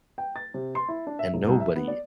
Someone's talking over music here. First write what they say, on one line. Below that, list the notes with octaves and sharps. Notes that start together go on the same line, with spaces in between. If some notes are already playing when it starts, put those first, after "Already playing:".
And nobody
G5
A6
C3
C6
E4
D4
E5
E1
C2
E5
B3
D5